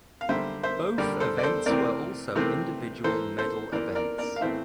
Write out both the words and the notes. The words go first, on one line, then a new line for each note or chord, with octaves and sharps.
Both events were also individual medal events.
F5
D3 G3 A#3 C5 E5
C5 E5
D3 G3 A#3 A#4 D5
A4 C5
D5
A4 C5
C3 E3 A3 C4 A#4 D5
C3 E3 A3 C4
E3 A#3 A4 C5
A4 C5
E3 A#3 A#4 D5
A#4 D5
A#4 D5
F5
A2 E3 A3 C4 C5 E5